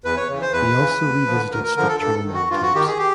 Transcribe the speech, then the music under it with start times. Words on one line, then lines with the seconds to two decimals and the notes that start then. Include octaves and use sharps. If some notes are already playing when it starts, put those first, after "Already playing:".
He also revisited structural monotypes.
0.04 E2 B4
0.17 C#5
0.29 C#3 E3
0.41 C5
0.53 E2 B4
0.78 C#3 E3
1.03 D2
1.26 D3 F3
1.52 D2 A#4
1.64 A#4
1.77 D3 F3 A#4
1.88 A4
2.00 G2 A4
2.26 D#3
2.34 F#4
2.50 G2 F4
2.62 F#4
2.75 D#3 G4
2.87 G#4
2.98 G4